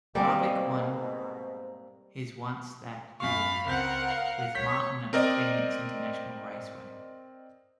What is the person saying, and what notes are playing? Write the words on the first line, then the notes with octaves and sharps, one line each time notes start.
Harvick won his once that year with Martin at Phoenix International Raceway.
G#2 B2 G3 A#3 C4 A#4 D5 G#5
F#2 F5 B5 C#6
C#2 C4 A#4 F#5 G6
F5
C#5 G6 B6
C4 A#4 D5 D#5